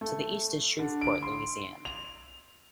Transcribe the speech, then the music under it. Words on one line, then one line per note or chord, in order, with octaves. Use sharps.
To the east is Shreveport, Louisiana.
A3
D3
D7
C6
F7